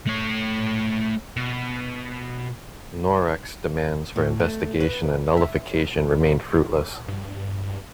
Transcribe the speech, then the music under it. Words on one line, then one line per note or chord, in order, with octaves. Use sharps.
Norex' demands for investigation and nullification remained fruitless.
A3 C#5
B2
A2
A3
B4
E5
G2